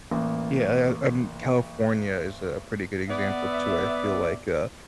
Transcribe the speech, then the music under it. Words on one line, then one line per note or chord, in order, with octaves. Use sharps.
Yeah, uh uh um, California is a pretty good example, too, I feel like, uh,
A1 A#3
B3 D5 E5